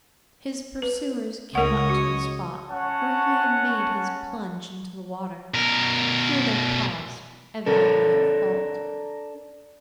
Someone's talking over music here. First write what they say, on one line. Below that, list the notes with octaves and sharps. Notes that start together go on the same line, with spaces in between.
His pursuers came up to the spot where he had made his plunge into the water; here they paused, evidently at fault.
B4
C#2 A#4 C#5 D#5 F#5
F#4
C#4 F#4 C#5 F#5 A5
B2 A#4
D4 A4 A#4